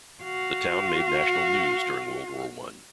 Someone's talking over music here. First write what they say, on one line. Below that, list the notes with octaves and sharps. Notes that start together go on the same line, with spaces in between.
The town made national news during World War One.
F#4 F5